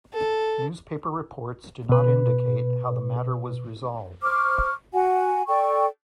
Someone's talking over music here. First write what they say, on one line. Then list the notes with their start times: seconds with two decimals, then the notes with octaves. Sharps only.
Newspaper reports do not indicate how the matter was resolved.
0.14 A4
1.89 B2 B4
4.23 C5 C#6 D6 F6
4.93 F#4 F#5 G#5
5.47 A4 D5 G5 C#6